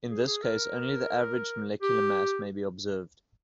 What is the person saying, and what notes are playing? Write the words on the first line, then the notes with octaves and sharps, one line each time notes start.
In this case only the average molecular mass may be observed.
G#4
G#4
A#4
G4